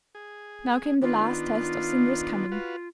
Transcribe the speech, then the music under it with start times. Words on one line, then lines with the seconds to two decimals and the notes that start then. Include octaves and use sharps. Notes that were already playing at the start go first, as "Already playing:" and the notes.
Now came the last test of Sindri's cunning.
0.15 G#4
1.02 D#3 B3 D4 F4
2.52 F#4 B4 F5